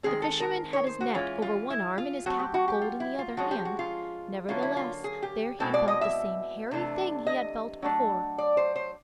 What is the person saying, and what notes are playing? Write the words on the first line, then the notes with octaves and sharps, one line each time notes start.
The fisherman had his net over one arm and his cap of gold in the other hand; nevertheless, there he felt the same hairy thing he had felt before.
D#3 G#3 C4 G#4
A4
A#4
C#5
C5
F#4
E3 G#3 C#4 E4 F4
F4
E4
F4
F#3 A3 C4 F#4
G4
F#4
G4
F4
E4
F4
F3 G#3 C#4 F#4
G4
F#4
F4
D3 F#3 A#3 C#4 E4 F4
E4
F4
G#4
G4
B2 G#3 C4 E4 A4
D5
D#5
E5
C3 E3 A3 D4
D#5
F#3 A3 D4
D5
C5
C5